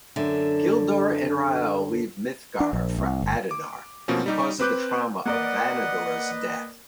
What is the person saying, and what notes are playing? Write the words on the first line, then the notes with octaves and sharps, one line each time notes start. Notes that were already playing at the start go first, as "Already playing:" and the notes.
Gildor and Rael leave Mithgar for Adonar, because of the trauma of Vanidor's death.
F#2 D3 E5
D4
A#1
C2
G1
D6
B2 F3 A#3 C4 C#4
G3 D#4 G4
C4 B4 D6 F#6 G6
A#3 A#4 B4 D5 D#5 F#5